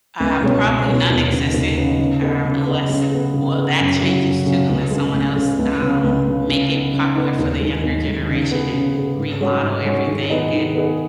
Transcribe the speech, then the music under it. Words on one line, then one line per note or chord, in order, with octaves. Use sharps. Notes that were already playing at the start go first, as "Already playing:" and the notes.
Um, probably nonexistent, um, unless well, that changes too, unless someone else, um, make it popular for the younger generation and remodel everything and
C#2
B2 G#3 C#4
C#2
B2 G#3 C#4
D#2
C#3 B3 D#4
D#2
C#3 B3 D#4
C#3
B3 G#4 B4 D#5
C#3
B3 G#4 B4 D#5
C#3
B3 G#4
C#3
B3 G#4
F#2
C#3 F#3
F#2
C#3 F#3
C#2
C#3 G#3
C#2
C#3 G#3
C#2
C#3 B3
C#2
C#3 B3
C#3
B3 D#4
C#3
B3 D#4
D#2
D#3 G#3
D#2
D#3 G#3
C#3
B3 G#4
C#3
B3 G#4
G#2
G#3 C#4 F#4 C#5
G#2
G#3 C#4 F#4 C#5
D#3
B3 D#4 G#4 D#5
D#3
B3 D#4 G#4 D#5